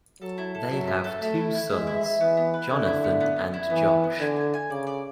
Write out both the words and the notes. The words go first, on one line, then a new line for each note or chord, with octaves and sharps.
They have two sons, Jonathan and Josh.
F#3 A4
E4
A4
F#3 E5
E5
A4
A3 E5
E4
E4
G#3 E5
E4
E5
E3 B3
B3
B4
D3 E4
E4
B3
B3
B3
E4
E3 B3
B3
B3
D3 G#5
G#5
G#5
C#3 D5
D5